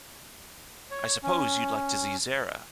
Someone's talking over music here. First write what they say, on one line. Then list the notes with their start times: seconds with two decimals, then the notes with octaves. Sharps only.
I suppose you’d like to see Zara.
0.91 C#5
1.23 C#4